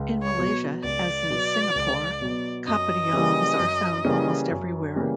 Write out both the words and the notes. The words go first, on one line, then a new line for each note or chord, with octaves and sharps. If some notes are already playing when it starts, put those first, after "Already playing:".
In Malaysia, as in Singapore, kopitiams are found almost everywhere.
Already playing: C#2
C#5
B2 F#3 B3
C#2 D5
B2 F#3 B3
C#2
B2 F#3 B3
F#2 D#5
C#3 E3 G3 A#3
F#2
C#3 E3 G3 A#3
F#2
C#3 E3 G3 A#3